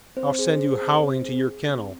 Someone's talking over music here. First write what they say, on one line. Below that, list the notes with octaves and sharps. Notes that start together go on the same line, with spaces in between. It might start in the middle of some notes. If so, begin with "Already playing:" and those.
I'll send you howling to your kennel!
C4 C5
G#4
G#4
C4
C4
G#4
G#4
C4